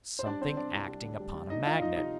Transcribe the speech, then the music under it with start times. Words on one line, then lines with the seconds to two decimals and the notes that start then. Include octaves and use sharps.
Something acting upon a magnet.
0.19 C5
0.26 G3 D4 D5
0.41 C3 C4 C5
0.57 G3 D4 D5
0.73 C2
0.88 G3
1.04 D2
1.20 G3
1.35 C3
1.50 D2 D#4 D#5
1.65 D2 F4 F5
1.81 F3 D#4 D#5
1.96 C3 D#4 D#5